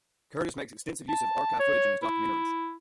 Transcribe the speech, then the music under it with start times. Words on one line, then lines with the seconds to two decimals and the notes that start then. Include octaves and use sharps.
Curtis makes extensive use of archive footage in his documentaries.
1.09 A5
1.59 C#5
2.02 E4